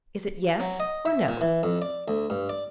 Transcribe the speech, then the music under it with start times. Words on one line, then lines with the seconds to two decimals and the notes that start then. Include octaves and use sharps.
Is it Yes or No?'
0.60 F#3
0.80 D#5
1.06 E5
1.28 A#2
1.41 E3
1.63 F2
1.82 D5
2.08 D2
2.30 G2
2.49 D5